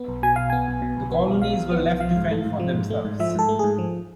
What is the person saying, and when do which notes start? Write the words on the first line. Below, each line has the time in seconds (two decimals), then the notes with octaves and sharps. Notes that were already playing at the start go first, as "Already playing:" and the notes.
The colonies were left to fend for themselves.
Already playing: B3
0.08 B1
0.23 B2 G#5
0.36 B1 F5
0.50 B3 G#5
0.68 B1
0.82 B2
0.97 B1
1.12 B3
1.27 B1
1.42 B2 F5
1.56 B1
1.71 B3
1.86 B1
2.00 F3 F5
2.16 G#2
2.31 A3
2.46 G#2
2.60 F3
2.74 G#2
2.90 A3
3.05 G#2
3.20 F3 E5
3.35 G#2 A4
3.49 A3
3.59 G#2 G#4
3.78 F3